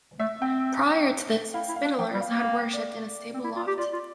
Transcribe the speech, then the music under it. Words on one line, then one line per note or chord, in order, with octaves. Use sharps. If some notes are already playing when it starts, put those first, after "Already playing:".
Prior to this, "Spittlers" had worshipped in a stable loft.
A3 E5
C4 G5
E4 F5
E4
F5
D4
F3 G5
G3
F5
A#3
F5
D5
C4
E4
F4
G4
F4 D5
F4